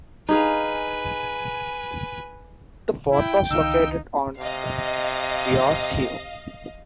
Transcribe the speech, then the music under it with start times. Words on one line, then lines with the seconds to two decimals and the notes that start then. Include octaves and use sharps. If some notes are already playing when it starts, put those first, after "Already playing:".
The fort was located on Deyo's Hill.
0.29 D#4 G#4 B4 F5 G#5
3.12 E4 G5
3.51 C#2 D#3 D#4 F5 E6
4.38 C3 D#5 F5